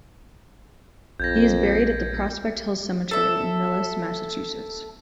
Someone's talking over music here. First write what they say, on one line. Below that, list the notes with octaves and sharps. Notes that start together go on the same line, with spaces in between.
He is buried at the Prospect Hill Cemetery in Millis, Massachusetts.
A#1 F2 G6 G#6 A#6
A4 E5